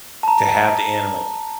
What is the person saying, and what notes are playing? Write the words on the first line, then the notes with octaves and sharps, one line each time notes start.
To have the animals
A5 A#5